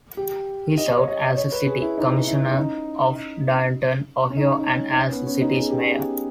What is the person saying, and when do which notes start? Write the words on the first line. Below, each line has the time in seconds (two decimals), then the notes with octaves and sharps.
He served as a city commissioner of Dayton, Ohio, and as the city's mayor.
0.17 G4
0.78 D#5
0.97 C#5
1.08 D#5
1.37 C#5
1.52 B4
1.67 G#4
1.82 E4
1.98 D#4
2.27 E4
2.51 C#4
2.57 D#4
4.30 C#4
4.37 D#4
4.59 D#4
4.67 C#4
4.91 D#4
4.97 C#4
5.12 B3
5.26 C#4
5.41 D#4
5.57 G#4
5.70 G4
5.83 G#4